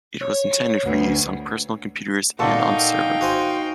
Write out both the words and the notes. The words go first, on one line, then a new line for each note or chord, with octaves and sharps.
It was intended for use on personal computers and on server.
C#5
D2 B3
A#2 D#4 F#4 A4 F5 G5 C#6
F#4 C5 G#5